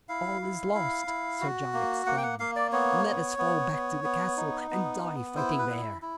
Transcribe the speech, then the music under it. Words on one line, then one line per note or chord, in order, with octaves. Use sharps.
"All is lost," Sir John exclaimed; "let us fall back to the castle and die fighting there."
E4 F5
E4
E4
E4
F#4
A#3
A#3 F#5
G5
F#5
A#3 F5
D5
B3 C#5
B3
B3
B3
B3
D#4
B3
B3
E4 C5
B4
E4
E4